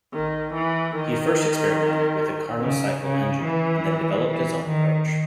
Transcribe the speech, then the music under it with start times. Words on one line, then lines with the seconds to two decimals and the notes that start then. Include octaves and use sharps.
He first experimented with a Carnot Cycle engine, and then developed his own approach.
0.13 D#3
0.54 E3
0.95 D#3
2.61 C#3
3.02 C#3
3.43 E3
4.26 E3
4.67 D#3